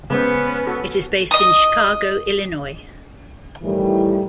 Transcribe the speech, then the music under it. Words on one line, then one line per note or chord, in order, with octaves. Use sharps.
It is based in Chicago, Illinois.
C#3 G#3 B3 C#4 C5
F#4 A4
D#5 D#6
A2 D#3 E3 G3